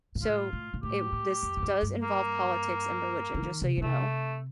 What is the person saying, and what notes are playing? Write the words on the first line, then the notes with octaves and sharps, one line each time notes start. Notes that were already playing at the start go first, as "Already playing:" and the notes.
so, it this does involve politics and religion, just so you know.
A#2
A2 F4
A2
A#2
A2 G4
A2
F2
A2
G2
G2
A#3
D3
D#3
C3
A#2
C3 A3